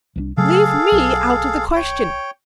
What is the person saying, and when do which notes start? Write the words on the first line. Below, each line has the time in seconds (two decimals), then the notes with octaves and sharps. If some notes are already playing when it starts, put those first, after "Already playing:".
Leave me out of the question.
0.16 C2 E3 D4
0.37 C#3 F#3 A3 G#4 A4 F5
0.92 B1
1.76 C#5 G5